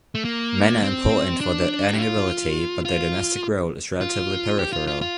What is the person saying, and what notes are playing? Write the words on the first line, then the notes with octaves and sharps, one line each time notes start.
Men are important for their earning ability, but their domestic role is relatively peripheral.
A3
A#3
C4
D4
G4
F4
F4
F4
G4
F4
F4
F4